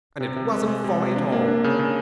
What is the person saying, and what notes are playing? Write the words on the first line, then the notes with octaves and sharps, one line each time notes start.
And it wasn't folly at all!
C3
C3
G#3
G#3
C3
C3
D4
A#3
D4
C#3
C#3